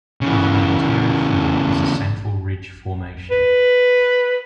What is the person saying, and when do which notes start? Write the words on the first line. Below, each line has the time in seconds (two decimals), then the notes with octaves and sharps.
Within the interior floor is a central ridge formation.
0.21 C#3 E3
3.31 B4